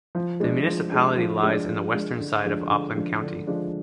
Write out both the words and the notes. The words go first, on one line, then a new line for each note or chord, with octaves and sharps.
The municipality lies in the western side of Oppland county.
F3
G#3 D4
F3
G#3 D4
F3
G#3 D4
F3
G#3 D4
D3
F3 G#3 D4
D3
F3 G#3 D4
D3
F3 G#3 D4